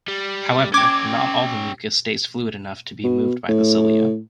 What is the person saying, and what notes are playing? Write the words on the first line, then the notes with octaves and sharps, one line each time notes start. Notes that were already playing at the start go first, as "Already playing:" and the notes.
However, not all the mucus stays fluid enough to be moved by the cilia.
G3
C#4 G5 D6 G#6
B2
A2